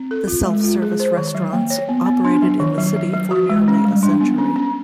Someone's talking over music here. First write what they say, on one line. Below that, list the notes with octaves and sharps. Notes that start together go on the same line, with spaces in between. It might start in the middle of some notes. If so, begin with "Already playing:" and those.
The self-service restaurants operated in the city for nearly a century.
Already playing: C4
A4
F4
G#3
F4
G#4
C5
D#3
F#3
A#3
C#5
B3
B3
D4
F#3
D#3
F#3
F#3
F#3
F#4
G#3
C#4
G3
D4
B3
C#4
C#4